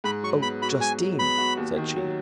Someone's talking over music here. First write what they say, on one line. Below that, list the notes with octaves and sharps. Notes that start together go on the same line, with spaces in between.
"Oh, Justine!" said she.
G#2 B5
F#3 C#6
B3 B5
F#4 B5
G#2 G#5
F#3
B3 B5
F#4
D#2
D#3
F#3